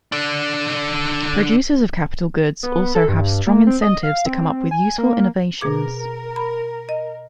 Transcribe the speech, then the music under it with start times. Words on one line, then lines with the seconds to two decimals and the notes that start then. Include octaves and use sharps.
Producers of capital goods also have strong incentives to come up with useful innovations.
0.12 D3 D4
2.63 B3
2.95 A4
3.09 G2
3.46 A#3
3.67 C4
3.82 D#5
4.03 F5
4.26 C4
4.71 G#5
4.98 A#3
5.61 B2 G#4 A#4 D6
6.36 B5
6.89 D#5